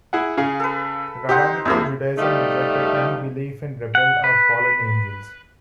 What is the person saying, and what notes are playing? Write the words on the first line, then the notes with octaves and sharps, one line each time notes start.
Rabbinical Judaism rejected any belief in rebel or fallen angels.
E4 G#4 F#5
C#3 G#4 F5
A4 B4
C4 D#4 G4 C5 F#5
E2 C3 A#3 D4 E4 G#4
F3 G3 A3 D#4
F#5
B4